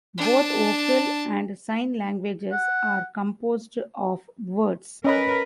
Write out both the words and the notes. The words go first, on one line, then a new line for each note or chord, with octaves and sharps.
Both vocal and sign languages are composed of words.
D4 A5
F#5
C#4 A#4 B4 D#5 B5